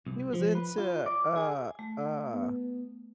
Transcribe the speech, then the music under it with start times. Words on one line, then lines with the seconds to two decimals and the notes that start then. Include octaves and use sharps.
she was into, uh uh
0.07 C2
0.33 F3
0.55 B4
0.78 F4
1.06 D5
1.36 G#4
1.79 A3
2.33 B3